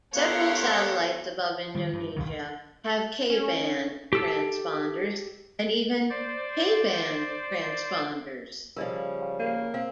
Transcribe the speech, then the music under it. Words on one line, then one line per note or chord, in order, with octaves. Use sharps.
Several satellites above Indonesia have K-band transponders, and even K band transponders.
B3 G4 A4 A#4 C#5 F5 F#5 C6
D#3 G3
G2
G#1 E2 D#3 F#3
C#4
G4 A4 E6
C5 D5
C#3 F3 G3 A#4 D5 D#5
A#3
C4 F5